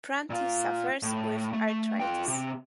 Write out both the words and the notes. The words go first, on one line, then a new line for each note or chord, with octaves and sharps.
Prunty suffers with arthritis.
A#2 F4
A2
A3
F4 G5
C3